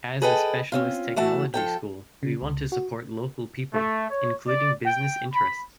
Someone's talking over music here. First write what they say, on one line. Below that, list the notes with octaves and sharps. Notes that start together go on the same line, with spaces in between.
As a specialist technology school we want to support local people, including business interests.
G#4 A4 B4 D#5 G5 A5
C4 C#4 F4
E3 A3 F#4 A5
F3 A4 G5
C#3
C#2
F#4
A3
C#5
D5
G5
B5